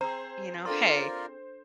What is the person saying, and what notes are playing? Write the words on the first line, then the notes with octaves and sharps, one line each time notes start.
you know, "Hey,
C4 G#4 C5 A#5
D4 F4 A4 A#4 D5 C6